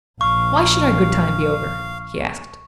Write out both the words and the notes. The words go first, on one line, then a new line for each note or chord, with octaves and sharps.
"Why should our good time be over?" he asked.
A#1 F5 C#6